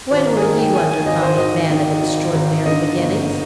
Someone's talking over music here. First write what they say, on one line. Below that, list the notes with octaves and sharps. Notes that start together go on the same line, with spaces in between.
'When were you under Kami, man of extraordinary beginnings?'
G#1 C5
A#4
G#4
D#3 A#4
G5
D#3 G#5
G#5
G#1 D#5
C5
G#1 D#5
D#3
G#1
G#1
D3 D#5
G1